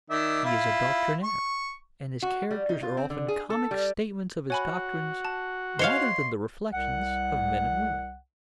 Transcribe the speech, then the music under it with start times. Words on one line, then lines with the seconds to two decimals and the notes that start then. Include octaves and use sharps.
He is a doctrinaire, and his characters are often comic statements of his doctrines rather than the reflections of men and women.
0.10 D#3 D5 E5
0.45 E4 F4
1.23 C#6
2.22 F#4
2.51 G3
2.69 D#4
2.83 F4
2.97 C4
3.10 D3
3.28 G#4
3.50 A4
3.71 G3
4.50 F#4 C#5 G#5 B5
5.25 A5
5.79 C5 C#5 D#5 F5 C6
6.73 C2 F#5